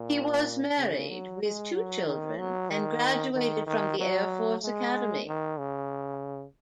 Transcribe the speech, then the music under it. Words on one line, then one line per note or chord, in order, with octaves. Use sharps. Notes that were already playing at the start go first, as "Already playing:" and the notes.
He was married with two children and graduated from the Air Force Academy.
Already playing: A#2
C#3
F#3
G#3
F#3
D#3
F#3
D#3
D#3
D#3
F#3
G#3
D#3
C#3